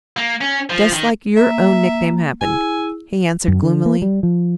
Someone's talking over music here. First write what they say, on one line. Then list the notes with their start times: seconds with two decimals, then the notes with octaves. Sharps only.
"Just like your own nickname happened," he answered gloomily.
0.17 A#3
0.41 C#4
0.70 F3
0.93 D#3
1.37 A#3 E5 A#5
2.41 E4 G#4 G#5 E6
3.48 F#2
3.62 D3
3.86 A#3
4.02 G3
4.23 F3